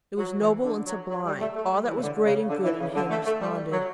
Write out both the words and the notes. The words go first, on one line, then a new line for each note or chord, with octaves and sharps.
It was noble and sublime; all that was great and good in him responded.
F#3
E3
D3
F#3
F#3
G3
A3
A3
G3
E3
C#3
D3
C#3
D3
E3
C#3
D3
A3
A3
G3
F#3